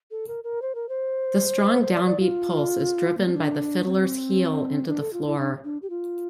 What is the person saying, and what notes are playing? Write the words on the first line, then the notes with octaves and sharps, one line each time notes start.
The strong downbeat pulse is driven by the fiddler's heel into the floor.
A4
A#4
A#4
C5
A#4
C5
C5
D5
C5
D5
F4
A#3
C4
D4
C4
D4
A4
F4
E4
D4
D4
G4
F4